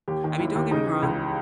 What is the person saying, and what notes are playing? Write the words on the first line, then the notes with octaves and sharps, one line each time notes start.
I mean, don't get me wrong;
D#2 G4
D#3
D#2 E4
D#2
C#3 D#4
E3
C#2